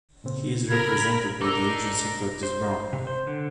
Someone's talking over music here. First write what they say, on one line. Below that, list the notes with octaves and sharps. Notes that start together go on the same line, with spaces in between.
He is represented by the agency Curtis Brown.
A#2 C#3 C4
A#4 B5 G#6
D4 D#4 A#4 A#5 D6 E6
C5
C3
C5
D3